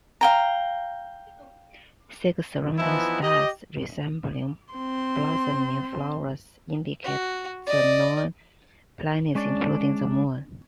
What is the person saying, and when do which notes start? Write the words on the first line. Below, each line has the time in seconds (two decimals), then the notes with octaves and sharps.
Six surrounding stars, resembling blossoming flowers, indicate the known planets including the Moon.
0.21 F5 G5 A#5
2.78 E3 F3 B3 D#4 E4
3.23 G4 D#5
4.74 C4 C6
7.04 F#4
7.66 D5 D#5
9.35 G#3 C#4 D4 D5